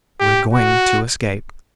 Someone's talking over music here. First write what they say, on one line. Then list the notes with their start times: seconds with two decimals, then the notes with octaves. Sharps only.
"We're going to escape!"
0.20 G4
0.53 F#4